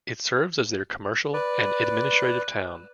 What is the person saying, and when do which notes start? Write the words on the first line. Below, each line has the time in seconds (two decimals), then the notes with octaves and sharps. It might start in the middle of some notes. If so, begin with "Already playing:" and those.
It serves as their commercial and administrative town.
1.34 B4 D5